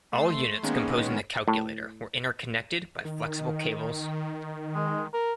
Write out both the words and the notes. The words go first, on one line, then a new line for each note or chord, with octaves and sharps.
All units composing the Calculator were interconnected by flexible cables.
A3 C6
D#3 G#3 A#3 B3 C#4
A2
D#3
G#3
A#4